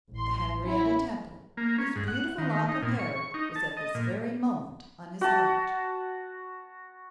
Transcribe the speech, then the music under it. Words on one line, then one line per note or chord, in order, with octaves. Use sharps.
The Henrietta Temple whose beautiful lock of hair was at this very moment on his heart!
A1 C6
C#4 E4
A#3
C#4
G#2
F#5
D#3
D#4
A#2
C#6
D#4
A5
D#5
A#2
F#4 A5